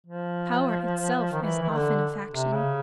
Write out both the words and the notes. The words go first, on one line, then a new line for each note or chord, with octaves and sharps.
Power itself is often a faction.
F3
D#3
E3
E3
D#3
D3
C3
C#3